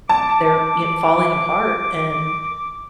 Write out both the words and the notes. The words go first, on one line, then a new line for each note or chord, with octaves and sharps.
they're y falling apart, and
A5 D6